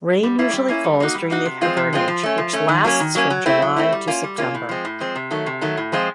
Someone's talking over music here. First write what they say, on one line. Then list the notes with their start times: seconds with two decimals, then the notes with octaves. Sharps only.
Rain usually falls during the hivernage, which lasts from July to September.
0.23 G3
0.39 A#3 C#4 E4
0.53 G3
0.69 A#3 C#4 E4
0.84 G3
1.00 A#3 D#4 F#4
1.15 G3
1.30 A#3 D#4 F#4
1.45 C3
1.61 F3 G#3 C4 F4
1.77 C3
1.93 F3 G#3 C4 F4
2.08 F3
2.23 A3 C#4
2.38 F3
2.53 A3 C#4
2.68 D#3
2.84 F#3 A#3 C#4
3.00 D#3
3.15 F#3 A#3 C#4
3.30 F#3
3.46 A3 C4 E4
3.62 F#3
3.76 A3 C4 E4
3.92 G3
4.07 A#3 C#4 F4
4.24 G3
4.38 A#3 C#4 F4
4.54 A2
4.69 F3 G#3 C4
4.85 A2
5.00 F3 G#3 C4
5.15 C3
5.31 D#3 F#3 A3
5.46 C3
5.61 D#3 F#3 A3
5.77 A2
5.92 F3 G#3 C4 F4